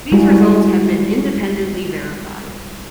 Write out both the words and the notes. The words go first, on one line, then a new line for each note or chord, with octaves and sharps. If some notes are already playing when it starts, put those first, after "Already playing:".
These results have been independently verified.
G3 G#3 E4 F#4 G#4